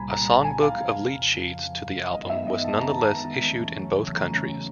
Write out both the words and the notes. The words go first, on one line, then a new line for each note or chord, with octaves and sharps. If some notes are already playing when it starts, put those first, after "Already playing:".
A songbook of lead sheets to the album was nonetheless issued in both countries.
Already playing: C2 A#2 G3 G#5 A#5 B5
A#5
A5
G#5
F5
F2 C#3 F3
F#2 D#3 G#3 B3 D#5
E5
D#5
A5
A#5
A5
A#5
E2 C#3 F#3 A3 C#4
A#5
A#5